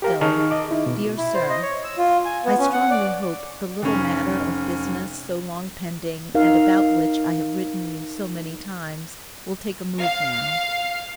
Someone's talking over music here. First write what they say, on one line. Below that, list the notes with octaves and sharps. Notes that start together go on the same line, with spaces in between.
STILL, DEAR SIR:--I strongly hope the little matter of business so long pending and about which I have written you so many times, will take a move now.
G4 A#4 F5
D#3 D#4 G#4 A5 C#6 F6
D#5 D6
D#4 E4
B2
E4
C5
D#5
C#5
E6
F4
G#5
B3
C#4
F#5
D5
F1 C#4
D#4 A#4 F5
F5